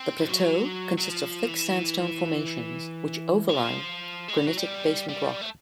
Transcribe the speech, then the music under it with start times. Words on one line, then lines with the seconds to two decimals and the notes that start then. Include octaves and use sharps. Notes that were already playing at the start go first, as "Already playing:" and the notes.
The plateau consists of thick sandstone formations which overlie granitic basement rock.
Already playing: C4
0.22 F3
0.28 F#3
0.98 F#3
1.09 F3
1.48 E3
3.49 F3
4.28 G#3
4.37 G3
4.47 F#3
4.58 G3
5.09 G3
5.42 A3